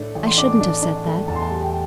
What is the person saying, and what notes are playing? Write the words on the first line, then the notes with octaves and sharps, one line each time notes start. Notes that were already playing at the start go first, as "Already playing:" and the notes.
I shouldn't have said that.
Already playing: A2 A3 D4
A1
C6
D4 D6
D4
D4
A3
E2 A5
C6
A5
G3
G5